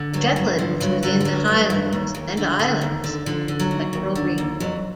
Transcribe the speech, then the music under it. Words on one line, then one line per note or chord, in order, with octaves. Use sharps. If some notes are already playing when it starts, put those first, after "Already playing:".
Shetland is within the Highlands and Islands electoral region.
Already playing: D3
G2 F#3
G2 F#3
D3 F3
G2 F#3
D3 F#3
F3
G2 F#3
G2
G2
D#2
D#2
D3
D3
D#2
D3
D3 F3
D3
F#3
D#2
D#2
D3
D#2
F2 F#3